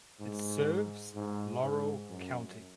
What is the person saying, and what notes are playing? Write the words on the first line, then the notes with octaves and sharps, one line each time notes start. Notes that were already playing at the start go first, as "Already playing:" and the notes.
It serves Laurel County.
G#2
G#2
G#2
F#2